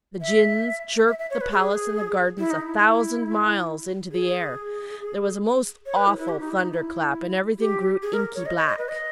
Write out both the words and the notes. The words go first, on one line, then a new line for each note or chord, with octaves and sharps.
The Djinns jerked the Palace and the gardens a thousand miles into the air: there was a most awful thunder-clap, and everything grew inky-black.
E5
E5
E5
C#5
B4
G#4
E4
D#4
E4
G#4
C#5
B4
E4
E4
G4
D#4
E4
D#4
E4
G4
G#4
A#4
C#5
D#5
D#5
D#5
B4
D#5